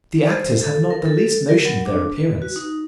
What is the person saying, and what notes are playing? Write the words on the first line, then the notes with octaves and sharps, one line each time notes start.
The actors have not the least notion of their appearance.
C5
A4
A#4
A4
A#4
F#3
D4
B4
F#4
D#4